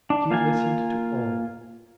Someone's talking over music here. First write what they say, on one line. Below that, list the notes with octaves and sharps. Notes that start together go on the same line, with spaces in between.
She listened to all.
D4
A#3 F4 F5 G#5